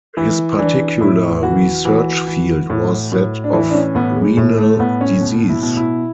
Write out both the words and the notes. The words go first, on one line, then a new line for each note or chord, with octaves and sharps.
His particular research field was that of renal disease.
E3 E4
E3 D4
A2 E4
E3 F#4
E3 F#4
E3
A2
A2
D4
E3 E4
D4
C#4
A2 B3
G#3
A2
A3
A2 B3
C#4
B2
E4
B2
E4